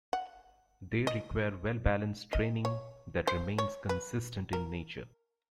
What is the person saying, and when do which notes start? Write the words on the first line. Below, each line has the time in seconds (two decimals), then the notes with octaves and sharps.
They require well-balanced training that remains consistent in nature.
0.13 F#5
1.07 D#5
2.33 D#5
2.65 C#5
3.27 C5
3.58 C#5
3.89 B4
4.53 A#4